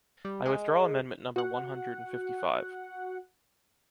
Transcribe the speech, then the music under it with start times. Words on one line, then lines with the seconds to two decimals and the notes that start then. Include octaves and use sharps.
I withdraw amendment number one hundred and fifty-five.
0.25 G3
0.46 G#3
1.36 F#4 F#5